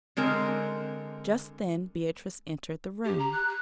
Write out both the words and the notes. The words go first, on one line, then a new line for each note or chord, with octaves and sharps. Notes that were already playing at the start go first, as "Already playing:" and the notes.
Just then Beatrice entered the room.
D3 G#3 C4 A#4
G4
A#5
F#6
F#6